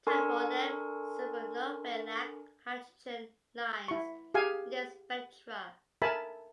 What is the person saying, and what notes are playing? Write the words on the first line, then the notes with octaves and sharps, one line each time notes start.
Type Oneb supernovae lack hydrogen lines in their spectra.
D4 A4 A#4 G#5 C6 C#6
E4 C#6
G4 G#4 F5 G#5
A4 A#4 E5 G#5 A5 B5